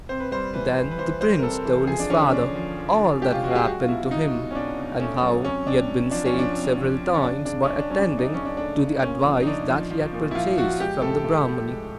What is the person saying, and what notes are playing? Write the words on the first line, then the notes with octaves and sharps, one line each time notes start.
Then the prince told his father all that had happened to him, and how he had been saved several times by attending to the advice that he had purchased from the Brahmani.
C3 C5
B4
G3 C5
E3 B4
E3
B4
E3 C5
G3 C5
A#4
C3 A4
E3
F3 G#4
D4
D3 C#4
C#4
D3 D4
F3
F3
D3
G#3 G4
F4
G#3 F#4
G#4
G4
F#3 F#4
F4
B2 E4
B2 D#4
B2
C#4
B2 D4
B2
A3 C#4
F#3
C3 C#4
C3 D4
C3
F3 D4
C#4
F3
D4
C3
F3
C3
C#4
C#3 D4
C#3 D4
C#4
C#3 D4
D4
F#3 C#4
D4
C#3 D4
D#4
D4
C#3 C#4
D4
A3 D4
C#3
A#2 C#4
F3
D#4
F3 D4
F3
F3
A#2
E4
F3 F4
F3 F#4
G#3 G4
A2 A4
A2
A2
G#3